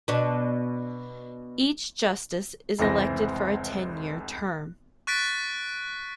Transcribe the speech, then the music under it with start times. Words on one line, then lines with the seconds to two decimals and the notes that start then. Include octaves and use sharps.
Each justice is elected for a ten-year term.
0.08 B2 D4
2.79 F1 C#2 E3 C4 A#6
5.07 C#6 F#6 A6 B6 D7